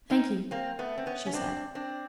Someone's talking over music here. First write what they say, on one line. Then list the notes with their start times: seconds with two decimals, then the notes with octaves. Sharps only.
"Thank you," she said.
0.10 C#4 D#4
0.51 A#3 C4
0.79 A3 B3
0.98 C4
1.06 B3 C#4
1.26 C#4
1.33 C4 D4
1.75 C4 D4